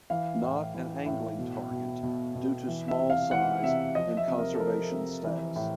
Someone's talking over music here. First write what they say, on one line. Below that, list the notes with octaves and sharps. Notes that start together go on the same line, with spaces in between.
Not an angling target due to small size and conservation status.
E3 F5
A2
E3
A2
B2
B2
B2
B2
E3
E5
C3
F5
E3 F#5
C3 E5
F3 D#5
E5
C3
A#4
A4
F3 A#4
C3
E3
A2